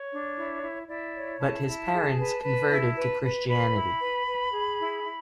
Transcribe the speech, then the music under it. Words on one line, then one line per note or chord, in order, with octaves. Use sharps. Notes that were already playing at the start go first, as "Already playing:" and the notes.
But his parents converted to Christianity.
Already playing: C#5
D4
E4
E4
E4 D5
C#5
E4 A5
E4
G#4
B4
B4
E4
B4
B4
B4 B5
E4
B4
B4
G#4
E4
E4